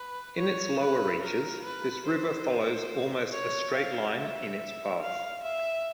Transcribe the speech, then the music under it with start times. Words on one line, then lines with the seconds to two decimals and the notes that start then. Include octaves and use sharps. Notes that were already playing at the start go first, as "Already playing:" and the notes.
In its lower reaches this river follows almost a straight line in its path.
Already playing: B4
0.37 C#5
0.79 B4
1.22 A#4
1.64 B4
2.06 C5
3.32 C#5
3.74 F5
4.16 E5
5.01 F5
5.43 E5